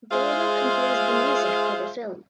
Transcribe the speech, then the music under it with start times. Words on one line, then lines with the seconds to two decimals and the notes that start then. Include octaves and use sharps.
Deva composed the music for the film.
0.11 G#3 F4 G#4 C5 E5 F5